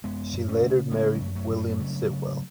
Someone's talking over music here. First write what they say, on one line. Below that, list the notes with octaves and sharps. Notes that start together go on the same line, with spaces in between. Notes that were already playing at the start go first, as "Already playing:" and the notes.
She later married William Sitwell.
F#2 G#3 B3
F#2
A3 C#4
C#3
C#3 G#3 B3
F#3 A3
F#2
F#3 A3
F#2
A3
B3
C#3 F#3 A3
C#3